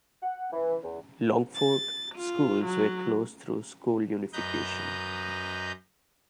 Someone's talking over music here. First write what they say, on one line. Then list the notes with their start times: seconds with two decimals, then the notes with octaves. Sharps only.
Longford schools were closed through school unification.
0.22 F#5
0.52 E3
0.82 E2
1.56 A6
2.16 F4
2.65 F#3
4.33 F#2 B4 D#5 A#5 G6